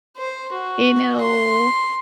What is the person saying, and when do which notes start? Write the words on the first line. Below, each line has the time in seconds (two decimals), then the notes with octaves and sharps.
You know?
0.17 C5
0.52 F#4
1.21 C6